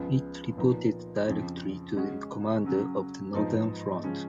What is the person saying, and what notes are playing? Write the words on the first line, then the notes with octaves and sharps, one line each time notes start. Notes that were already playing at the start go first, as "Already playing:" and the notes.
It reported directly to the commander of the Northern Front.
Already playing: C#2 C#3 F3 B3
A#2 F3 B3 D#4
F2 C#3 F3
C#3 G#3 C#4 F#4
C#3 F#3 C#4
G#2 F3 B3 D#4
C#3 F3 G#3 C#4